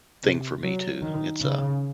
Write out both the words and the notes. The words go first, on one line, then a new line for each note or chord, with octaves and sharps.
thing for me, too. It's a
C3
F#3
D#3
C#3